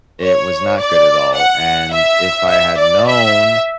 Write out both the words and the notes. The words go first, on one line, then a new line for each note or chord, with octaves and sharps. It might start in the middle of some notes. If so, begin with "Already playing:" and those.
It was not good at all, and if I had known
C#5
D5
F#5
E5
E5
D5
E5